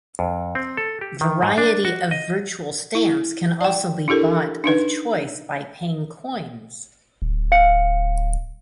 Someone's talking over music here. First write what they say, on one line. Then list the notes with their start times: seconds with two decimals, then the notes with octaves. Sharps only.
Variety of virtual stamps can also be bought of choice by paying coins.
0.19 F2
0.55 C4
0.77 A4
1.01 G4
1.21 D#3
1.42 G#2
1.58 D4
1.85 F#4
2.11 D#5
2.95 E4
3.61 D5 G5
4.08 D4 E4 G4 A4 A#4
4.64 D4 D#4 B4
7.22 D1
7.52 F5 C#7